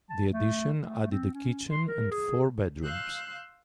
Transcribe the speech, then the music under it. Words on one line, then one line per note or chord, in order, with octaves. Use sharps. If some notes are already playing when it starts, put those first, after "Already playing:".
The addition added a kitchen and four bedrooms.
A5
A3
A3
C4
C#4
C6
A#4
G#4
F5 C6 E6 F#6 G6